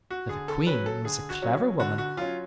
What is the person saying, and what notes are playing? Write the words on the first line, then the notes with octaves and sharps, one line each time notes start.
But the Queen was a clever woman.
F#4
D3 G#4
A4
F#3 C#4 B4
A4
D3 G#4
F#4
F#3 C#4
D3 F#4
F#4
F#3 C#4 F4